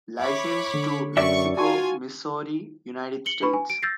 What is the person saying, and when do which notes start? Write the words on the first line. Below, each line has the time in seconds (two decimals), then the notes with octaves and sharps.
Licensed to Mexico, Missouri, United States.
0.19 C#5 E5 B5 D6
0.73 D3
1.17 F#2 D5 E5 C#6
1.57 F4 F#4 G#5 A5 C6 C#6
3.26 C#7 F#7 G7
3.42 D4 B4 B5 C#6
3.53 G#5
3.70 D7
3.82 E6 G6 A6 A#6 C7